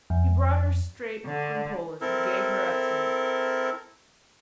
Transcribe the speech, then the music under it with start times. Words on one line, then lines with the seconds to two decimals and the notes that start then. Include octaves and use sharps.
He brought her straight from Poland and gave her up to me.
0.10 F2
1.26 D3
2.01 C4 E4 A4 A#4